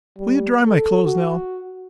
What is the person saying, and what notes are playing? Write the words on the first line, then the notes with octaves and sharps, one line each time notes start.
Will you dry my clothes now?
G3
A4
F#4